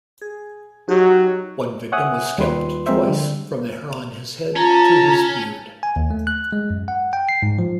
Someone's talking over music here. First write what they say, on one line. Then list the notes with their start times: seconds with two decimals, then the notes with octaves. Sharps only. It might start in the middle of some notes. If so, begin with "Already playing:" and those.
One victim was scalped twice, from the hair on his head, to his beard.
0.21 G#4
0.88 F#3 D#4 F#4 G4
1.92 C#5 E5 F#5 G#5 D#6
2.38 D#2 G3 F4 B4 C6
2.86 F3 G#3 C4 A#4 C5 E5
3.08 D3 G3
4.56 C#4 F4 A5 A#5
5.83 G#5
5.96 D#2
6.11 A3
6.27 F#6
6.52 G#3
6.70 F#2
6.88 F#5
7.13 G5
7.29 C7
7.42 G#2
7.59 F3